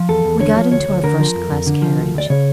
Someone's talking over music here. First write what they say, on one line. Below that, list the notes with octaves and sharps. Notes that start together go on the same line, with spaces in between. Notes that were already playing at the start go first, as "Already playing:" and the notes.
We got into our first-class carriage.
Already playing: F3
E2 A4
E2
D3 C#5
F3
D2 C#5
D2
D3 A#4
F3
F2
F2
D3
F3
D2
D2 D5
C#3 C#5